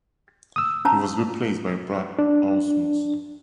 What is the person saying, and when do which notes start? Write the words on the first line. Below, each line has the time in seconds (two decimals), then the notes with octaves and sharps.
He was replaced by Brad Ausmus.
0.56 D#6 E6
0.85 C#4 A5 A#5
2.19 D4